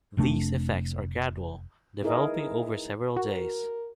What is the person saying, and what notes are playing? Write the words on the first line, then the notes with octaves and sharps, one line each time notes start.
These effects are gradual, developing over several days.
F1 C3 A3 D4
D#4 E4 G#4 A#4 B4 D#5
F#4 A#4